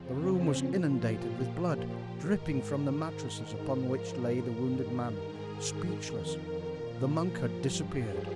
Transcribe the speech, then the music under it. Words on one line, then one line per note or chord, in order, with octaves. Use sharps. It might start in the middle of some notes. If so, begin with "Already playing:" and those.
The room was inundated with blood, dripping from the mattresses upon which lay the wounded man, speechless; the monk had disappeared.
Already playing: F2 C#3 F3 C4
C#4
A#2 F3 F4
G4
A#2 F3
G#2 D#3 A#4
G#2 D#3
G#2 F3
G2 D#3
G#2 D#3 G#4
A#4
F2 D#3
A#2 F3
G2 F3 G4
G#4